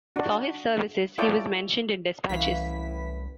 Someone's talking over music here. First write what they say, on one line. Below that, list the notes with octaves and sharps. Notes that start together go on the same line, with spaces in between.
For his services he was mentioned in despatches.
D4 F#4
E4 F4 A4 C#5 D5 G5
C2 F#2 A2 E3 E4 B4 F5 B6